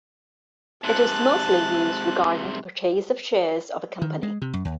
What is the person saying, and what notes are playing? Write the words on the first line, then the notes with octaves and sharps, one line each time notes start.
It is mostly used regarding the purchase of shares of a company.
G#2 C3 A5 F#6
D#3
G#3
C3
F#2
D#2